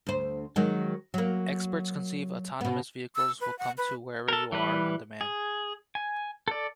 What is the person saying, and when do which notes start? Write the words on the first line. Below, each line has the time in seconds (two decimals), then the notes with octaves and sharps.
Experts conceive autonomous vehicles will come to wherever you are on demand.
0.06 D2 C5
0.56 D#3 F#3 G#3
1.14 F#3 A#3
2.61 B2 B3
3.16 E6
3.41 B4
3.59 F#5
3.78 B4
4.28 A4 A#4
4.52 E3 G3 B4
5.21 G#4
5.95 G#5
6.48 A4 D5